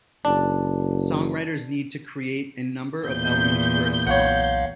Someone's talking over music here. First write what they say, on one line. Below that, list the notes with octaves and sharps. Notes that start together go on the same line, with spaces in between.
Songwriters need to create a number of elements for a song.
F#1 D4
E2 A#2 G6
B1 C#5 F5 F#5